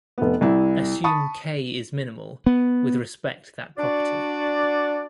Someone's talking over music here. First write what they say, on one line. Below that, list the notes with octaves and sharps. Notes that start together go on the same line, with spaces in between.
Assume "k" is minimal with respect that property.
F1 B3
C2 E4
A5 B5 C#6 D#6
B3
D4 F#4 D5